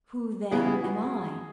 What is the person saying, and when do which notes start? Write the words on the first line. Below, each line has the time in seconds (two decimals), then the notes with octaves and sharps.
"Who, then, am I?"
0.51 C#3 E3 G#3 B3 E4 G#4
0.67 G#4
0.82 F#4